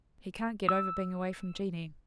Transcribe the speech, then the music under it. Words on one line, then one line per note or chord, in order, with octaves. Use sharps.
He can't get over being away from Jeanie.
E6